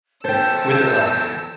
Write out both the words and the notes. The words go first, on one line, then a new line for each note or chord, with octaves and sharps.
With a knife.
E2 A4 C5 G5 E6 G6